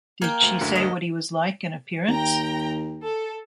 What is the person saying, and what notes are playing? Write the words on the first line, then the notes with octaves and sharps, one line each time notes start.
Did she say what he was like in appearance?
A#3 G5 G#6
D2
F#1 D2 D3
D#5
D#2 G5 A#5
A4